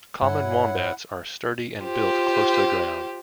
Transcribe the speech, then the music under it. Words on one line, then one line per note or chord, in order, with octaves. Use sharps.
Common wombats are sturdy and built close to the ground.
G2 E4 C#5 F#5
F4 G4 C5